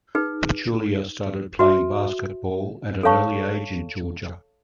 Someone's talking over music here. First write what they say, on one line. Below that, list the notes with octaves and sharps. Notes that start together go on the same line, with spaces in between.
Pachulia started playing basketball at an early age in Georgia.
D#4 G#4 B4
F#4 B4 E5
A4 C#5 F5 A5 C#6